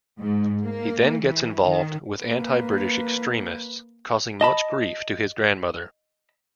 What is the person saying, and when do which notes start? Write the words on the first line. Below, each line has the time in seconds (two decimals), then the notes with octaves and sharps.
He then gets involved with anti-British extremists, causing much grief to his grandmother.
0.19 G#2
0.62 A#3
1.22 E3
1.64 D#3
2.21 A#3 B4
4.41 D#5 A5 B5